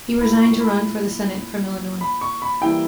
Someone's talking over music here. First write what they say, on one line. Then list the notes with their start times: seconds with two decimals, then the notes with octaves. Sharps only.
He resigned to run for the Senate from Illinois.
0.20 A#2 A#3 E4 B5
0.40 C#6
0.60 B5
2.01 B5
2.21 C#6
2.42 B5
2.61 E3 G3 A#3 E4 G5